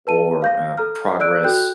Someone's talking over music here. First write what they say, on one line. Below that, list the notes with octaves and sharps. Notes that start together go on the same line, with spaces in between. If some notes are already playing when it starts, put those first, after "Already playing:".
or, uh, progress,
B4 A5 D#7
F5 G6 A#6
A4 A#5 F6
D5 E6 F#6 D7
F#4 A4 G5 F#6 G6